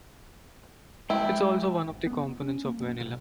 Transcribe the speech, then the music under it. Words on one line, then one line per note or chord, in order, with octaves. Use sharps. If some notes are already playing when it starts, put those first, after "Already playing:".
It is also one of the components of vanilla.
G#3 E4 G5
G1
B3
F1
C#4
A#3
F#1
B1